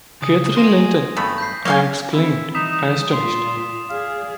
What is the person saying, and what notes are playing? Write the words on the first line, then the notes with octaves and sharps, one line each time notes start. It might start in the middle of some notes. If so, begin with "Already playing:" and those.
Catherine Linton?’ I exclaimed, astonished.
C#3 D#6
G#5 C6 A#6
G2 A3 B3 B5
G6 B6 C7
F#3 A#3 C#5 F5 G#5 F#6 G7
C4 E4
E3 G3 D#4 D#6 B6 E7
A#2 F4 C6
G#4 D5 F5